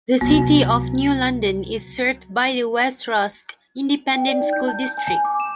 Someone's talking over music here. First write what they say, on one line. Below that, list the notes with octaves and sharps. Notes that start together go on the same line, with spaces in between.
The city of New London is served by the West Rusk Independent School District.
C#2 C3 F#3 B3
G5
D5
D#4
G6
A5
G6
G#5
G#5
D6
E7